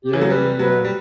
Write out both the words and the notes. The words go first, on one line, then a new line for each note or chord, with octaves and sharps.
Yeah, yeah, yeah.
G4
E3
F#3 A4
G3 B4
F#3 B4
G3